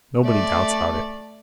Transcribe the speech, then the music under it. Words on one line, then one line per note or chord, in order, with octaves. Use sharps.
Nobody doubts about it.
A3 D5